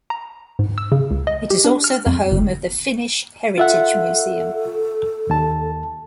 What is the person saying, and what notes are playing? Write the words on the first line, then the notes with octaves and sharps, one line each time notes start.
It is also the home of the Finnish Heritage Museum.
A#5
G#2
E6
C#3
C#2
D#5
G4
D4
F6
F2
G1
F4 A4 E5 F#5
D#2 A5